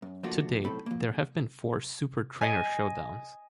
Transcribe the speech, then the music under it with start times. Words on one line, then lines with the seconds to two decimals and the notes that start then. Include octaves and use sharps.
To date, there have been four Super Trainer Showdowns.
0.02 F#2
0.23 F3 A3 A#3 D4 F4 F#4
0.64 B1 A2 C4 A4 B5
0.86 F3 A#3
2.41 D#5 G#5